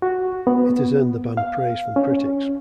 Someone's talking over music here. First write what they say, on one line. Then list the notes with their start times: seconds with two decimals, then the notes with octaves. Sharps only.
It has earned the band praise from critics.
0.02 F#4
0.47 B3
1.37 F5
1.96 C#4